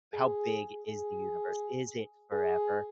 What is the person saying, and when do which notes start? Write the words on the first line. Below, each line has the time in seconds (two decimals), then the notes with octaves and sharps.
how big is the universe? Is it forever?
0.13 G#4
0.86 G#4
2.32 G#4